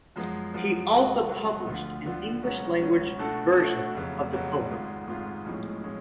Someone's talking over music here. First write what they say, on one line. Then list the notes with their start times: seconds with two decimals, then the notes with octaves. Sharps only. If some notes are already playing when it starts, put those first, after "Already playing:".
He also published an English-language version of the poem.
0.16 F#2 F3 G#3 B3
0.53 F#2 F3 G#3 B3
0.91 C#2 B2 F#3 B3 F#4
1.29 C#2 B2 F#3 B3 F#4
1.67 D2 D3 F3 B3 F4
2.05 D2 D3 F3 B3 F4
2.43 C#2 B2 F#3 C#4
2.80 C#2 B2 F#3 C#4
3.19 B2 A3 D4 F#4 A4
3.56 B2 A3 D4 F#4 A4
3.94 F1 F2 C#3 F#3 B3
4.32 F1 F2 C#3 F#3 B3
4.69 G#1 G#2 G#3 B3 F4
5.07 G#1 G#2 G#3 B3 F4
5.46 B1 A2 F3 G#3 C#4
5.83 A2 F3 G#3 C#4